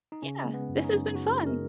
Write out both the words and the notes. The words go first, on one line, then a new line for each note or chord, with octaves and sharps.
Yeah, this has been fun.
D#4
C#3 C#4
G#3
B3
F#2
C#4
D#4
F#2
C#3 F#4
G#3 G#4
A#4